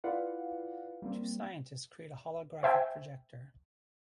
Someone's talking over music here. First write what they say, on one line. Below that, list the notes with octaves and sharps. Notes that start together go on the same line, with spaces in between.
Two scientists create a holographic projector.
E4 F4 B4 D5 F5 F#5
G3 A#3 C4
C5 E5 G5 G#5